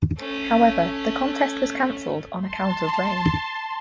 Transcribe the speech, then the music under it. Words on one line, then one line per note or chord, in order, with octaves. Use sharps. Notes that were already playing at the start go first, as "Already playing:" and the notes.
However, the contest was canceled on account of rain.
A3 C#4
A5 C6